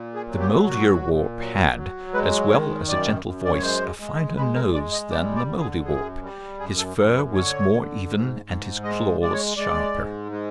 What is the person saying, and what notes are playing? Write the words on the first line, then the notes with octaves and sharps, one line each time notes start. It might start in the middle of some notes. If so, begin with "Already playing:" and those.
The Mouldierwarp had, as well as a gentle voice, a finer nose than the Mouldiwarp, his fur was more even and his claws sharper.
Already playing: A#2
G#4
F#3
G4
A#2 F#4
A#2
F#3
F#3
G#3 B4
D#3 C#5
F#2 D5
F#2
D5
C#5
G#3 C5
G#3
G#3 B4
A#4
G#3 D5
D#5
G3 D5
D5
D3
G#4
F#2 G#4
G3
F#2 G#4
A4
F#2 A#4
B4
D3 C#5
D3
G#2
G#2
G#3 D#5
G#3 D5
C#5
G#3 D5
G#2
G#3